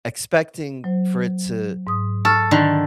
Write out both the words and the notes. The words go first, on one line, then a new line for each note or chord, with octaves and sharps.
expecting for it to
F#3 C5
G#2 D#6
A4 C#6 F6
D3 D#3